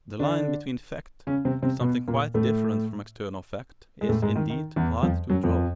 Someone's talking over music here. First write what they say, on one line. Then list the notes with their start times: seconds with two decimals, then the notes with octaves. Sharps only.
The line between fact and something quite different from external fact is, indeed, hard to draw.
0.20 D3 D4
1.27 C#3 C#4
1.45 C3 C4
1.63 C3 C4
1.81 B2 B3
2.08 A#2 A#3
2.34 A2 A3
4.01 G#3
4.09 A2 A3
4.22 G#2 G#3
4.36 D#3
4.50 D#3
4.76 E2 E3
5.03 F2 F3
5.30 F#2 F#3
5.44 F2 F3